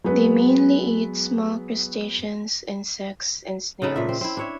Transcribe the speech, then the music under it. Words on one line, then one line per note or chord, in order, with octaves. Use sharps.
They mainly eat small crustaceans, insects, and snails.
F#3 G#3 B3 B4
C#3 D#4 A4 B4
A#2 E5
C4
C4 E4
D4 C#5 E5